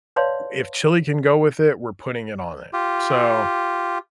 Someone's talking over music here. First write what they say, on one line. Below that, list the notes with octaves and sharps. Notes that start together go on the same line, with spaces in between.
if chili can go with it, we're putting it on it. So,
B4 C#5 D5 F5 A5 C6
F4 G4